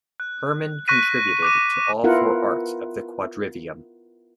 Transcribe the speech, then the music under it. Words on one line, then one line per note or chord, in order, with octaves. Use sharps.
Hermann contributed to all four arts of the quadrivium.
F#6
C#6 F#6 A#6 B6 D#7
D6 F#6 D#7
B3 E4 F4 A#4 F#5